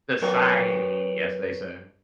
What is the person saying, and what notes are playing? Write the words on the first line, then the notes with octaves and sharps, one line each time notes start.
"Society", as they say.
F#3 A#4 B4 C#5